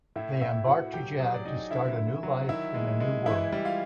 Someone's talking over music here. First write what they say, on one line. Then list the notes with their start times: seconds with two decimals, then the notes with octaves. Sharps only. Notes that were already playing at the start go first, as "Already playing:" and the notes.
They embark to Jadd to start a new life in a new world.
0.16 A2 E4 E5
0.41 A2 E4 E5
0.67 A2 F#4 F#5
0.93 F#3 G4 G5
1.19 F#3 G#4 G#5
1.34 D5
1.45 F#3 D#4 D#5
1.71 D3 E4 E5
1.97 D3
2.23 F#3
2.49 D#3 E4 E5
2.74 G#3
3.00 G#3
3.26 E3 E4 E5
3.53 G3
3.65 F4 F5